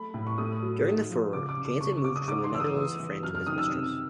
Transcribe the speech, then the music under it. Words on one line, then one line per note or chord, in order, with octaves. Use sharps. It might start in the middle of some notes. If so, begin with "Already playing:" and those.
During the furor, Jansen moved from the Netherlands to France with his mistress.
Already playing: A3 B5
A2
C#6
A3 D#6
F#3
G#2
F3
C#3 D6
D6
C#3
D6
C#3 C#6
C#6
C#3 D6
D#6
G#2 D6
C6
E3 E6
D#6
E3
E3
F#2 F6
F6
D#3 D#6
E6
C3